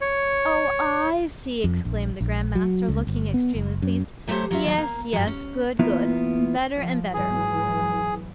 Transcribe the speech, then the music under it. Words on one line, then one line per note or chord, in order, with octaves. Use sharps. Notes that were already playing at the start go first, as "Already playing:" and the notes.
'Oh, I see,' exclaimed the Grand Master, looking extremely pleased; 'yes, yes--good, good--better and better.
C#5
F2
A#1
A#1
F#3
C#2
G1
B3
F#1
F#2
F#3 A3 G4 G#4 C5 C#5
F#3 F4 E5
D#2 G#2 F#3 D#5
A#3
G2 F#3
C#4
E3 A#3 B3 E4 F4
F3
G#2 E3 F#3 G#4